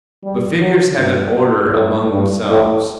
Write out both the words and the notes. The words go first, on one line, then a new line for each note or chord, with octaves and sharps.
But figures have an order among themselves.
G3
F#3
G2
A2
G2
A2